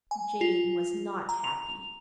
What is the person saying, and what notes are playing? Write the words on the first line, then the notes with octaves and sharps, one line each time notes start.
Jane was not happy.
G#5
F4
A#5
F7